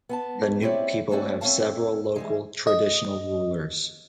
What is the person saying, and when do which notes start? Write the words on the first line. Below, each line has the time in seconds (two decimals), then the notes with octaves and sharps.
The Nupe people have several local, traditional rulers.
0.09 B3 G#5 A5
0.61 C4 E4 G4 C#5 D5
1.11 G#3 A3 C4 C#4 F#4 D5
1.41 C4 C#4 E4 A4 F5 A5
2.16 E3 G3 G#3
2.67 D#5